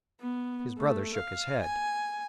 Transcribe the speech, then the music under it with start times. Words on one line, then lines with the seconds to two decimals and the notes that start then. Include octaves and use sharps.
His brother shook his head.
0.21 B3
0.78 A3
1.14 F5
1.62 G#5